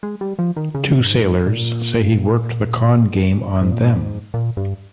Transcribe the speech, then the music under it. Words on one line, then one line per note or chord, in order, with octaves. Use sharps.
Two sailors say he worked the ‘con’ game on them.
G#3
G3
F3
D#3
C#3
G2
G#2
A#2
G#2
A#2
G#2
A#2
G2